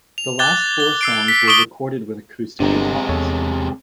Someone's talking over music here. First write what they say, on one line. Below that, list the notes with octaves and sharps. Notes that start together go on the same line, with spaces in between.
The last four songs were recorded with acoustic guitars.
F7
D6 F#6 G#6 A6 G7
G7
E6 C7 D7
B6
C#6 D#6 E6 D7 G7
G1 C3 G#3 D4 A#5
E2 A4 C#5